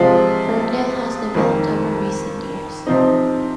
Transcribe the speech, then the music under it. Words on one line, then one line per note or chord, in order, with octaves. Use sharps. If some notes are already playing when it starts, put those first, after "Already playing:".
Ferndale has developed over recent years.
Already playing: C3 F3 G#3 F4
F2 D#3 A#3
C3 F3 C4 D#4